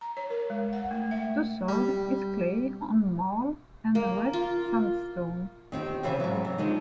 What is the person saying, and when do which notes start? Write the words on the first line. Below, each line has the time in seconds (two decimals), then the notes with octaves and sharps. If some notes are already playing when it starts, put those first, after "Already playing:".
The soil is clay on marl and red sandstone.
0.01 A#5
0.17 C#5
0.30 A#4
0.50 G#3
0.73 F#5
0.91 A3
1.11 E5
1.69 G3
3.95 A#3
4.33 F4
5.72 D#3 C4 D#4 G4
6.03 C#3 E3 C5 D5 E5 G#5
6.20 G#2 F#3
6.45 C3
6.58 D#3 F3 G#3 D4 D#4